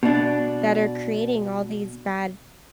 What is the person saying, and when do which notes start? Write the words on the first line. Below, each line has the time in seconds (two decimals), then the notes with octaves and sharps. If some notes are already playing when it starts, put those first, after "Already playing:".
that are creating all these bad
0.03 B2 D4